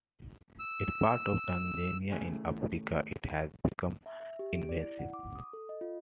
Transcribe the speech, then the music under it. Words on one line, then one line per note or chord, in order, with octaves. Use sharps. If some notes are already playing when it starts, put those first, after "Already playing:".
In parts of Tanzania in Africa it has become invasive.
E6
D#2 A2 C#3 A3 G#4 G#5
E5
E5
G4
D7
D5
E4
F#5
D6
D#6
A4
D#5
F4